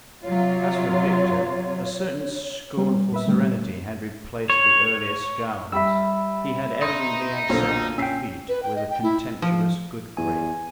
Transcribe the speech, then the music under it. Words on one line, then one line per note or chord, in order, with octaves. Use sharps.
As for Victor, a certain scornful serenity had replaced the earlier scowls; he had evidently accepted defeat with a contemptuous good grace.
C3 F#3 F4 C#5
G3 B3
A#2 B4 E5
A#2 D3 G3 A3 G4
C#5
G3 E5 G5 B5 E6
D#4 C6 D#6
B1 A#2 D3 C5 A#6
C#4 G5 E6 B6 C7
B4
G5
D#5
G5
E4
F3
E2 G#5